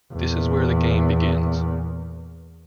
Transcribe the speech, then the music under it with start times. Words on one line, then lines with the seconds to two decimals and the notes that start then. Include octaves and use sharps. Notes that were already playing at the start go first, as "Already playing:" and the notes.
This is where the game begins.
0.13 E2 A#2